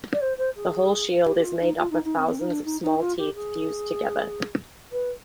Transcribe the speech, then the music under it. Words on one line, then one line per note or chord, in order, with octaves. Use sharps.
The whole shield is made up of thousands of small teeth fused together.
D5
C5
C5
G#4
G4
G4
F4
D#4
F4
D#4
D#4
C4
B3
C4
D#4
D4
D#4
D#4
F4
G4
G#4
B4